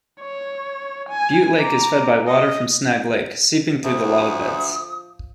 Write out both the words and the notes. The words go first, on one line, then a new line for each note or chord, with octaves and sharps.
Butte Lake is fed by water from Snag Lake seeping through the lava beds.
C#5
G#5
A#5 D6
D#5
D2 F3 E5 D#6